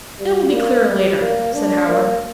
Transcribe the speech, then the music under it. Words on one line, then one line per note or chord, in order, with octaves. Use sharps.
"It will be clearer later," said Howard.
G3
A#3
G3
A#3
D4
A#3